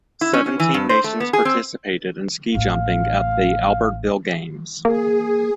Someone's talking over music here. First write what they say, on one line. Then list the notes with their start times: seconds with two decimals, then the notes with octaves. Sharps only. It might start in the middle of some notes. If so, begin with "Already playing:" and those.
Seventeen nations participated in ski jumping at the Albertville Games.
0.21 E4
0.34 C#4
0.46 C#4
0.60 E3
0.74 G2
0.89 C5
1.04 A3
1.20 B3
1.33 G#4
1.45 C4
2.55 A1 A2 F5
4.85 A#3 G#4